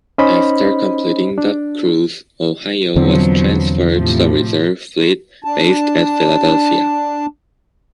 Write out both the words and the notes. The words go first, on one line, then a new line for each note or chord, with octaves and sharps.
After completing the cruise, "Ohio" was transferred to the Reserve Fleet based at Philadelphia.
C#4 D#4 C5 D#5 B5
D4
E2 B2 D3 F3 F#3 C4
A2 C3 F3
D4 A5